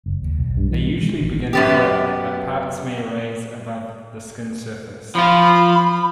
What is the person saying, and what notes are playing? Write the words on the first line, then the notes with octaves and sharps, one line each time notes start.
They usually begin flat, but parts may raise above the skin surface.
F#1
D#2
B1
G2
E3
G#3
D#3
A1
F#2 B3 G4
F3 F4 B5